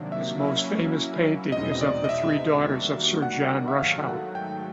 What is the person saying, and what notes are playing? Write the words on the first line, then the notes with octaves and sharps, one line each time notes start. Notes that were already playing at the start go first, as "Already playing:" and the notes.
His most famous painting is of the three daughters of Sir John Rushout.
Already playing: C3 D#3 F#3 A#3 D4
E5
F#3 A#3 C#4 E4 E5
E2 B2 G#3 C4 D#4 D#5
D#5
D5
D#5
E5
D#3 G3 A#3 D4 F#4
F#5
F#5
E5
G#2 D#3 F#3 A3 F5
F#5
G5